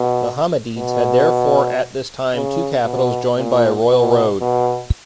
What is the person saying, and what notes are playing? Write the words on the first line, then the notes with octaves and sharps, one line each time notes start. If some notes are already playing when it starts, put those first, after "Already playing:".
The Hammadids had therefore at this time two capitals joined by a royal road.
Already playing: B2
B2
C#3
B2
A#2
B2
B2